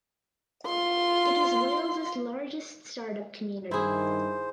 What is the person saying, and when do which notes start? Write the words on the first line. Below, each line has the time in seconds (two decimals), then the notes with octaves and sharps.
It is Wales’s largest startup community.
0.66 F4 C6
3.71 G2 D#3 E4 G#4 C5